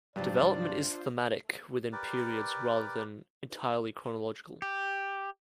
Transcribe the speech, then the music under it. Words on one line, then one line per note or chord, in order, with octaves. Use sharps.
Development is thematic within periods rather than entirely chronological.
G2 C3 F3 F#3 D4 F4 C5 D5
G4 A#4 B4 D5
G4